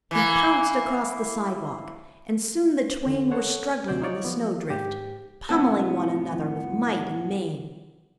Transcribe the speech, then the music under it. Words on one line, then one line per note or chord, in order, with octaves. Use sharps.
He pounced across the sidewalk, and soon the twain were struggling in the snowdrift, pummeling one another with might and main.
E3 A#3
E2 D3
A4 C5 C#5 F#5
D2 C3 C4 C5 D5 G6
D#4 F4 C#5 D5
F3 B3
G#2 G4
C2 F2 A2 B3 C4 A4